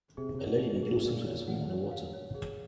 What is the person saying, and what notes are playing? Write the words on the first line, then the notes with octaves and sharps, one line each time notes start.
A lady in a blue swimsuit is swimming underwater.
C3 G#4
C3 C#5
B2
G#4
B2
G#4
A2
A#2 G#4
C#5
F#5
C#5
F5
C#5
G#4